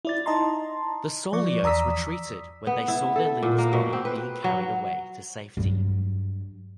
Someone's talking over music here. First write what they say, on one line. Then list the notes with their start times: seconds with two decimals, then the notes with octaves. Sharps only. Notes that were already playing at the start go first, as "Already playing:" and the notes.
The Souliotes retreated when they saw their leader's body being carried away to safety.
0.05 E4 D5 A6
0.26 D#4 D#5 A5 A#5 C6
1.33 F3 D5 C#6
1.63 E2 D5 A#5 D#6 E6 B6
2.67 B3
2.88 E4
3.16 A4
3.43 A#2
3.58 A#3
3.73 B2
3.93 C4
4.05 B4
4.44 F#3
5.57 G2 F#3